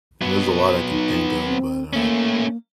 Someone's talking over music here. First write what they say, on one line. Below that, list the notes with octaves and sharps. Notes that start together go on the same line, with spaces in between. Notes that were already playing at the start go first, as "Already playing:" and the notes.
There's a lot I can think of, but, uh,
F#3 B3
D#4
C4
A3 A#3 C#4